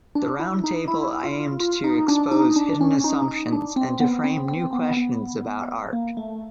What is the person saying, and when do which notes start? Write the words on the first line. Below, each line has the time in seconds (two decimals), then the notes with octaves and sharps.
The roundtable aimed to expose "hidden assumptions" and to frame new questions about art.
0.15 D4
0.39 E4
0.64 D#4
0.88 E4
1.23 F4
1.60 F4
1.84 D#4
2.08 D4
2.31 D#4
2.56 D4
2.81 C#4
3.04 D#4
3.28 D#4
3.53 D4
3.76 C4
4.00 B3
4.24 C4
4.48 C4
4.73 B3
4.97 B3
5.93 A#3
6.17 A3